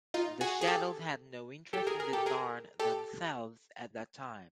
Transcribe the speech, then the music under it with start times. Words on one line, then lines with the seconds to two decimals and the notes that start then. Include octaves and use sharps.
The Shadows had no interest in the Narn themselves at that time.
0.14 D#4 F4
0.41 F#4 G#4
0.61 G#4
0.67 G4 A4
1.73 G4 A4
1.87 G#4 A#4
2.00 G#4 A#4
2.13 G4 A4
2.26 G#4 A#4
2.80 G4 A4